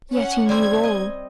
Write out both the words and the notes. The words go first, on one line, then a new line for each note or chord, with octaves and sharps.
Yet he knew all.
C#4 F#5
G3 C4 G#6
D#5